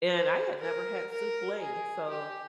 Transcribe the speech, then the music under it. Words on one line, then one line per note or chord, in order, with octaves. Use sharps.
and I had never had souffle, so,
C5
A#4
A#4
G#4
G4